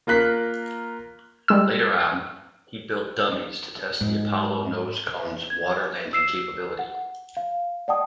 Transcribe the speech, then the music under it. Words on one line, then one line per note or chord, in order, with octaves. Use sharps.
Later on, he built dummies to test the Apollo nose cone's water landing capability.
A#3 F4 A#4 F#6 B6
G3 G#3 E6
G#2
G#6
E6 C7 E7
F#5
F5
D5 D#5 F#5 G5 A5 D#6